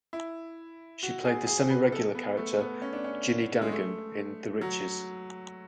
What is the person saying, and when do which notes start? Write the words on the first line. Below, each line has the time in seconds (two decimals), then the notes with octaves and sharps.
She played the semi-regular character Ginny Dannegan in "The Riches".
0.13 E4
1.03 F#4
1.25 G#4
1.47 G#4
1.70 B4
1.92 A4
2.15 B3
2.37 A3
2.60 B3
2.82 C#4
2.93 D4
3.04 C#4
3.61 G#3
3.72 A3
4.61 F#3